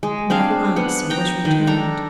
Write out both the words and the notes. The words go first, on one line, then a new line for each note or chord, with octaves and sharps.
No answer was returned.
G#3
C4 D4 G#4 F5
B3 F#5
G5 A#5
D#3
D4 A4 A#5